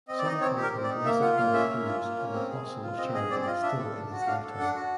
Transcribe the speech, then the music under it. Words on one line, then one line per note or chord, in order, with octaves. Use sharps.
Some called him "Blessed Father Cruz" and "Apostle of Charity" still in his lifetime.
C4 D#5
D5
D#4 D#5
C4 C#5
G4
A#4
C4
D5
D#4
A#3 E5
F4 F#5
A#3 F5
C#4 E5
A#3
F4
A#3
C#4
C4
G#4
C4
F4
C4 D#5
G#4 D#5
C4 D5
D5
F4 D#5
D4 E5
A4
D4
F#4
F#5
D4 F5
A4
D4 F#5
F#4